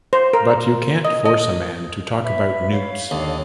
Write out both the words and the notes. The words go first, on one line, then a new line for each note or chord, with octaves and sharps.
But you can't force a man to talk about newts.
C5
A#4
D#5
D#5
B4 E5
C#5 F5
D#2 D3 A4 D#5